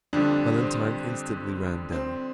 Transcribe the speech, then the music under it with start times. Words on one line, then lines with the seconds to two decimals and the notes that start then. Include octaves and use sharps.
Valentine instantly ran down.
0.13 F2 D3 G3 D4
0.58 C4
1.92 C4